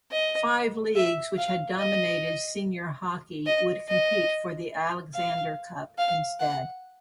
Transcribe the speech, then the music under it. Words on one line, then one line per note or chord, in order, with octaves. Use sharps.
Five leagues which had dominated senior hockey would compete for the Alexander Cup instead.
D#5
E5
F5
D#5
D#5
D#5
F5
F5
F#5